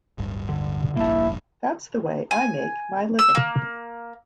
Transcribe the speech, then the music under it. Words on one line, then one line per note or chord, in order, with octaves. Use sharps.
That's the way I make my living.
D1 G1 G2
D3
F1 A#1 G2 A#3 E4 A5
G#5
E6
A#3